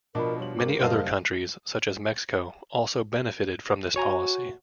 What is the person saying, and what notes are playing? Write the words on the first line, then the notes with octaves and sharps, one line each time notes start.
Many other countries, such as Mexico, also benefited from this policy.
B2 F3 D4 A#4 D#5 B5
G3 F4 C#5 F#7
G#1 A#4 D6
F#1 G3 C5 D#5 F5 A5
F#4 C#5 G#5 A#5